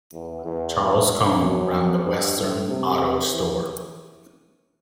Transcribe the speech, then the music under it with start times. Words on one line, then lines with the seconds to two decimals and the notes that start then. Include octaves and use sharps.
Charles Cone ran the Western Auto Store.
0.14 E2
0.45 E2
1.41 F#2
2.05 G2
2.37 A2
2.69 C3
3.33 E3